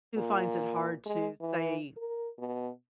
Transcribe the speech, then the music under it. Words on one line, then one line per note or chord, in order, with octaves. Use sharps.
who finds it hard to say,
A#2
G#3
E3
A#4
B2